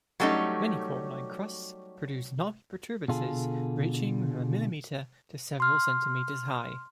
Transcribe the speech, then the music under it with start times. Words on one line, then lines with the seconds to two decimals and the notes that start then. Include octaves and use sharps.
Many coralline crusts produce knobby protuberances ranging from a millimetre to several centimetres high.
0.20 F#3 G3 A3 C#4 D#4
3.08 B2 D3 F4 G#4 A4
5.60 C6 F6